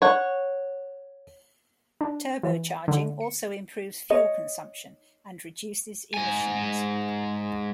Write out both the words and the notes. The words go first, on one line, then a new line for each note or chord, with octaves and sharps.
Turbocharging also improves fuel consumption and reduces emissions.
C#5 F#5
D4
E3
D3
C#7
C#5 D#5
G#2 G#5